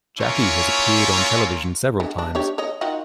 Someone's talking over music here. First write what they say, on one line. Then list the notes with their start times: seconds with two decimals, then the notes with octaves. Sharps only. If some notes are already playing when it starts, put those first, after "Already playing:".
Jakki has appeared on television several times.
0.19 A#3 C#4 E4 F4 C#5
2.00 D3
2.18 D4
2.35 D4 G4 C#5
2.58 C#5 D#5
2.81 D#3 F4 F#4